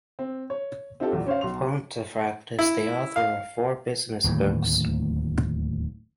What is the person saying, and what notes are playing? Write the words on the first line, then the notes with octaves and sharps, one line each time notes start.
Pontefract is the author of four business books.
C4
C#5
C4 D#4 F4 G4 A4
B1 E2 A#2
C#4 C5 C#5 F5
B1 C6 F7
E4
F5
D1 D#2 A2